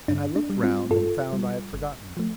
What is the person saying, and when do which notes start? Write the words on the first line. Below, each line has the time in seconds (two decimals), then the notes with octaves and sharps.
And I looked round, and found I had forgotten them.
0.08 G2 D4
0.36 D4
0.50 G3
0.63 C4 F4
0.90 G2 F4 A4
1.33 G3
1.73 G1
2.17 F3 A3